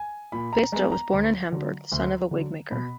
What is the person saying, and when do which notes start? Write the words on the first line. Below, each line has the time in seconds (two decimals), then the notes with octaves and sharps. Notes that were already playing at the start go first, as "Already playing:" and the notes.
Basedow was born in Hamburg, the son of a wigmaker.
Already playing: G#5
0.32 A#2 B5
0.53 A#5
0.72 G#3 B3 A#5
0.92 A#5
1.12 D2
1.52 D3 F#3
1.92 D2
2.31 D3 F#3
2.71 B2 B5